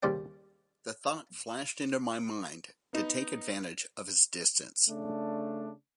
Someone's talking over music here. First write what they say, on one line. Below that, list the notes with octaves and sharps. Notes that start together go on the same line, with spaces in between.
The thought flashed into my mind to take advantage of his distance.
D#2 C#3 G3 C5 D5 G5
B3 D#4
C#3 A3 D4